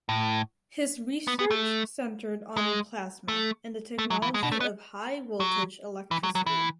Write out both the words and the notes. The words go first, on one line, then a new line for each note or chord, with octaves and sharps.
His research centered on plasma and the technology of high voltage electricity.
A2
B3
B3
A3
G#3
A3
A3
F#3
E3
G#3
B2
A3
B3
F#3
E3
F#3
F#3
E3